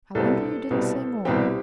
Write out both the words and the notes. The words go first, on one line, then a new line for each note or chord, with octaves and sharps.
"I wonder you didn't say more."
C2 B2 G3 C4 A4
C2 B2 G3 C4
C2 B2 G3 C4 G4